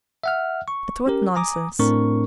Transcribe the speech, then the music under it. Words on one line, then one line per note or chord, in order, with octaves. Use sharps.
But what nonsense....
E5 F#5 F6
C#6
C#4 G4 A#4
G#5 A#5 D6 D#6
A2 A3 C4 D4 A#4 C#6